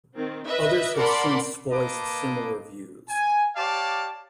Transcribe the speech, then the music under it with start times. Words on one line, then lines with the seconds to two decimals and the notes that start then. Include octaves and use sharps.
Others have since voiced similar views.
0.16 D#3 C4
0.47 B4 D#5 E5
0.96 A#4 D5 F#5 A5 B5 C6
1.71 A#3 B4 D#5 A5 D6
3.09 G#5
3.56 G4 C#5 D5 F5 A5